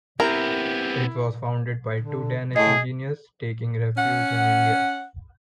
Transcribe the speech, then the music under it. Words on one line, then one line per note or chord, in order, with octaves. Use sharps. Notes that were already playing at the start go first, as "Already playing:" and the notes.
It was founded by two Danish engineers taking refuge in India.
B3 C4 E4 G4 A#4
D3
A2 G#4 D#5
C#4 F#5